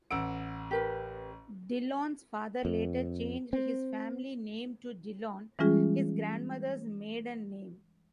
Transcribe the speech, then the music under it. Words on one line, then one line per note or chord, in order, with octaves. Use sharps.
Dillon's father later changed his family name to Dillon, his grandmother's maiden name.
A1 F#5 E6 D7
G4 A#4 B4
F2
C4
E3 G3 G#3 C#4 F4 G#4